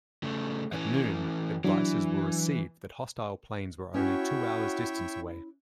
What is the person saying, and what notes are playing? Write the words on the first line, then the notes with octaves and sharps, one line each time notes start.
At noon advices were received that hostile planes were only two hours' distance away.
C#3 A3
E3 C#4
E3 F#3 D4
C#4 E4 F#4 C#5 E5 G5